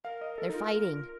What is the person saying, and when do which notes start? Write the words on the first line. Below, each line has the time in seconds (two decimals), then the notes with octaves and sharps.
"They're fighting!"
0.04 A#4 F5
0.21 D#5
0.38 A4
0.49 D#4
0.54 F4